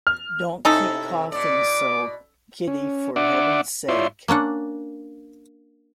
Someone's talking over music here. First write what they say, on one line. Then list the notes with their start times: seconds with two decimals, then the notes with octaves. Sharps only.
Don't keep coughing so, Kitty, for Heaven's sake!
0.07 F6
0.65 C3 C#4 D#4 E4 A4
1.32 B2 D5 D6
2.68 C#4
3.16 D4 D5 E5 F#5 D6
3.88 E4 F4 C#5 D5 E5 C6
4.28 A#3 C#4 D4 F#5